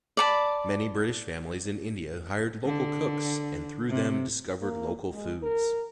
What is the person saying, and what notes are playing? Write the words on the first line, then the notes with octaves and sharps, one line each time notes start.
Many British families in India hired local cooks, and through them discovered local foods.
D5 A5 B5
D3
C3
A#3
G#3
A#4